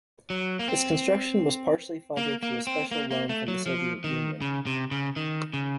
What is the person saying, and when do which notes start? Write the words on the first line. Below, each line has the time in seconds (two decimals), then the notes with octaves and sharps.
Its construction was partially funded through a special loan from the Soviet Union.
0.30 F#3
0.59 A#3
0.68 C4
2.17 A#3
2.43 A#3
2.67 C4
2.91 A#3
3.11 A#3
3.29 A3
3.48 F#3
3.66 F3
4.04 D#3
4.41 C#3
4.66 C3
4.91 C#3
5.16 D#3
5.54 C#3